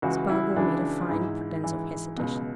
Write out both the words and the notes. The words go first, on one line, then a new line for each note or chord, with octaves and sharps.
Spargo made a fine pretence of hesitation.
C#2 C#3 E3 F#4
E4
C#2 C#3 E3 D4
G#2 E3 E4
G#2 E3
C#2 B2